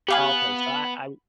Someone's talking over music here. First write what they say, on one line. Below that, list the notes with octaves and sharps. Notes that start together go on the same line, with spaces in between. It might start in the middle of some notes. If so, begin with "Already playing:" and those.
Okay. So I I
B3 G4 B4 F5 G#5